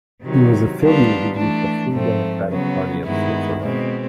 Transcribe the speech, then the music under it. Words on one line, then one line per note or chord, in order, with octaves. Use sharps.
He was affiliated with the Free Democratic Party of Switzerland.
C3 D#3 F#3
D#3 G3 B3 D4 F4
E3 A3 D4
G#2 F3 A3 C4
C#3 F#3 B3
G2 D#3 G#3 B3 E4
B2 G#3 C4